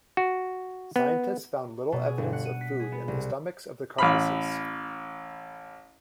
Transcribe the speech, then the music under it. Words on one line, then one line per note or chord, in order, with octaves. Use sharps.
Scientists found little evidence of food in the stomachs of the carcasses.
F#4
B3
B2
G#4
G1
F#5
D#7
B6
G#4
B3
C2
A1 F5 B5